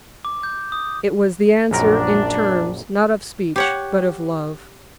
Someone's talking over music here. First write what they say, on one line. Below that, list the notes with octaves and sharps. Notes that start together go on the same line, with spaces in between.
It was the answer, in terms, not of speech, but of love.
D6
G6
D#6
A#1 F#2 D4 A#4
G4 C#5 F#5